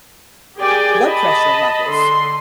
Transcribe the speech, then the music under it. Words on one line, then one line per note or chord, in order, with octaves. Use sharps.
blood pressure levels,
G4 G#4 A#4 D5 G5 G#5
D#5 A5 B5
D3 A4 C6